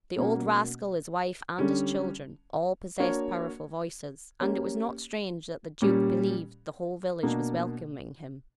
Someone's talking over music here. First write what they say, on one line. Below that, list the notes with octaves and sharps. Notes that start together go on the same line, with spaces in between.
The old rascal, his wife, and his children, all possessed powerful voices; and it was not strange that the duke believed the whole village was welcoming him.
B2 A#3 C#4 F#4
D3 G3 C#4
A#3 D4 F#4 A#4 C#5
A#3 C#4 G4 C#5
A#2 G3 C#4 G4
B2 A#3 D4 F#4